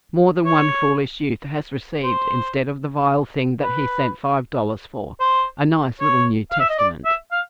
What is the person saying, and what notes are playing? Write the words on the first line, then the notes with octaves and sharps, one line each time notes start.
More than one foolish youth has received, instead of the vile thing that he sent five dollars for, a nice little New Testament.
C#5
C5
B4
C5
C#5
F5
E5
D#5
D5
E5
F5